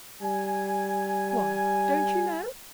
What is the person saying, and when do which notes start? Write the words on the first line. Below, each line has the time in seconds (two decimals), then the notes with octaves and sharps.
'Why don't you know?
0.22 G3 G#5